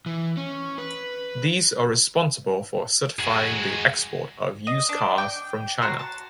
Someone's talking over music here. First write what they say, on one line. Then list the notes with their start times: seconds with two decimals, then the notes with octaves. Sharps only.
These are responsible for certifying the export of used cars from China.
0.06 E3
0.37 C#4
0.78 B4
3.19 G#3 F#4
4.67 D#5
4.89 D4
5.18 G5 D6
5.82 F#4 C#5 A#5 C6
5.99 A5